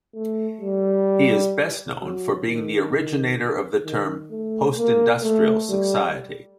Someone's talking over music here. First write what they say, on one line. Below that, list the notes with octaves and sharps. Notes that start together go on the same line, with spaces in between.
He is best known for being the originator of the term "post-industrial society".
A3
G3
F#3
D#3
D#3
A3
A#3
A3
G3